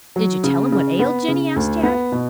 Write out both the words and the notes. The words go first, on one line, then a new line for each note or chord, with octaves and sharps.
"Did you tell him what ailed Jinny?" asked Tad.
F#3
C#3
C#3
B3
C#3
D2
B3
B2